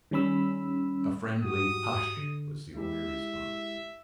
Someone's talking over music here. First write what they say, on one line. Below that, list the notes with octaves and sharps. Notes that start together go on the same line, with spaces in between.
A friendly "hush!" was the only response.
D#3 G3 C#4 B5 E6
G#2 F#4 G4 D#6
D3
G#3 E4 G4 E5